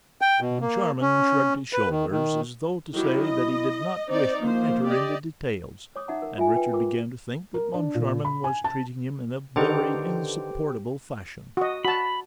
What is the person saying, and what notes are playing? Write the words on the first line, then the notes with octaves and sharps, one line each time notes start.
Moncharmin shrugged his shoulders, as though to say that he did not wish to enter into details, and Richard began to think that Moncharmin was treating him in a very insupportable fashion.
G5
B2
A#3
C#4
B4
D#3
D#3
D#3 F#3 E4 G4
D#5
C4 D#4 C5 D5
F3 A#3 C5
G4 D5 D#5
C#5 D6 D#6
D#4 E5 F#5 A#5
A#4
F4 E5 G#5
B4 G5
F4 A#4 D6
A#4
D4
A#2
B5
G#5
A5
D3 D#3 G4 A4 B4 C5 G5
F#4 D#5
F#4 A5 B5